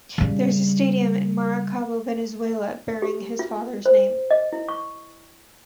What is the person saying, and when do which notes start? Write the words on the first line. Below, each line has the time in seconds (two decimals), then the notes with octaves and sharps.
There is a stadium in Maracaibo, Venezuela, bearing his father's name.
0.18 C#3 G3
3.02 G4
3.39 F4
3.86 C5
4.31 D#5
4.53 E4
4.69 C#6